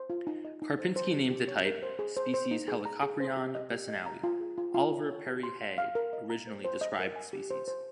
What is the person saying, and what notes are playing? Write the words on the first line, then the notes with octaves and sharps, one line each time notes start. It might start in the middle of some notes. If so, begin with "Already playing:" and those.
Karpinsky named the type species "Helicoprion bessonowi"; Oliver Perry Hay originally described the species.
Already playing: C5
F4
D#4
D#5
D#4
C5
C5
G4
G4
C#5
A#4
C5
G#4
C5
C5
D#4
G#4
A#5
G#4
C5
G4
D#5
G4
D#5
A#5
F4
G#4
F4
F4
C#5
C#5
G4
C6
F5
F5
A#4
D#5
A#5
C5
C5
D#5
A#4
G#5
G4
C5
C5